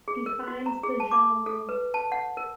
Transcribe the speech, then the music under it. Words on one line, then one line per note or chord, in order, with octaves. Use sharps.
Defines the genre.
G#4
A#4
F#4
A#5
G#4
A5
D6
A4
B4
A5
F#5
A#4